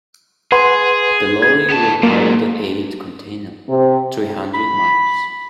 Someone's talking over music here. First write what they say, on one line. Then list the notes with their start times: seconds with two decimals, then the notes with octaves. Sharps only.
The lorry will haul the aid container three hundred miles.
0.52 G#4 B4 F#5 C6
1.42 G#6
1.70 B3 A5
2.03 F#2 A#2 A#3
3.69 C3
4.54 B5